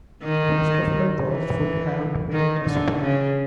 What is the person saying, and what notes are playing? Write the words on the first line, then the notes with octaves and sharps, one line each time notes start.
The rest of my thoughts would have to wait a spell.
D#3
E3
D#3
D3
C#3